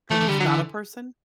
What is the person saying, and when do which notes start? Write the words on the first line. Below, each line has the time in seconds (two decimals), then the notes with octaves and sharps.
'Cause it's not a person?
0.11 E3 A3
0.21 E3
0.28 D3 G3
0.40 F#3
0.46 E3